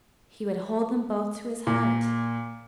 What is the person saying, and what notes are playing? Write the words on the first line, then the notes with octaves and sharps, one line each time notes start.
He would hold them both to his heart.
A#2